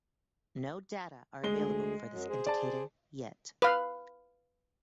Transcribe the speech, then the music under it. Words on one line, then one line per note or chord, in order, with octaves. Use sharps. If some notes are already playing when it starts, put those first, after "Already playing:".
No data are available for this indicator yet.
D2 G#3 G#4 G7
F#2 F#3
G#4 C5
D5 A5
B4 F5